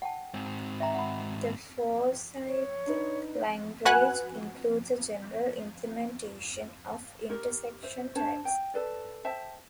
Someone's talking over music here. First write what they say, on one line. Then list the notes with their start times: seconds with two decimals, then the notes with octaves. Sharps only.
The Forsythe language includes a general implementation of intersection types.
0.02 F#5 G5 A5
0.34 G#2 C4
0.80 E5 G5 A#5
0.95 F#5 B5
2.48 C#5
2.86 D4 D#4 B4
3.85 F#4 B4 F#5 G#5 F#6
7.29 D#4 G4 A#4 C#5
7.83 C5 E5
8.16 D4 C5 C#5 A5
8.45 G5 G#5
8.74 A4 B4 D5
9.25 C5 E5 G5 A5